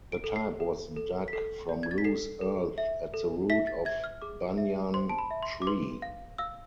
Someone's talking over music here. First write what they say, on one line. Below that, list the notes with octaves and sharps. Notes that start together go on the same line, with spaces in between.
The type was dug from loose earth at the root of a banyan tree.
D7
A4
C7
A4
A4
B6
A4 C7
D5
G#6
A6
B6
A4 C7
A4
E5
A4
E5 B6
A6
E5 G#6
F6
G#4 D6
E5
C5 C6
A5
B5
E5
C6
D6
B4 C6
F5
F5 E6